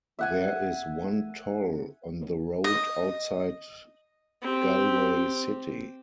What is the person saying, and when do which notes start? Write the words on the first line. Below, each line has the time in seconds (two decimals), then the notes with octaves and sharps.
There is one toll on the road outside Galway city.
0.19 E5 F#5 G#5
2.64 D#5
4.42 C4 G4